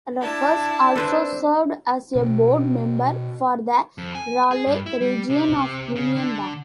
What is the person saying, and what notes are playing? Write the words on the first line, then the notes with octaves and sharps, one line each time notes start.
Rufus also served as a board member for the Raleigh region of Union Bank.
D4 E4 A5
C4 D4 A4 B4 C5 E5
B2 C#4
F2
G#5
G#4
G2
E4
G3
C3
C#3
D3